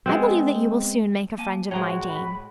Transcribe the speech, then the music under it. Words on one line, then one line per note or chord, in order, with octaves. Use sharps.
I believe that you will soon make a friend of my Dane.
G#3 B3 C4
A#3 G#5 A5
A2 G#3 F#4 C#5 A#5
B5